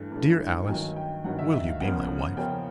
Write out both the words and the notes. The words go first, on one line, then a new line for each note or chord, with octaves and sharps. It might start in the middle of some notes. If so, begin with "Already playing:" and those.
Dear Alice, will you be my wife?
Already playing: G2 E3 A3 D4 A5
G2 E3 A3 D4
G5
G2 D#3 F#3 G#5
G5
G2 D#3 F#3 F#5
E5
E5
F5
E2 C#3 F3 A#3 C#4 F#5
E2 C#3 F3 A#3 C#4 G5